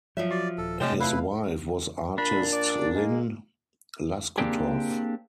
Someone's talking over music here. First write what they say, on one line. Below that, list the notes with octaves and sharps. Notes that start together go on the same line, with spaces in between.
His wife was artist Lynn Loscutoff.
F3 F#3 F4 C#5 E5
F#4 D5
D#1 A4
C3 G#3 A3 G#4 C#5 G5 A5
A3 E4 F4 B4 F5 A5
A#2 D4 B5
D5
G#3 A#3
A#3 C4 D4 G4 G#4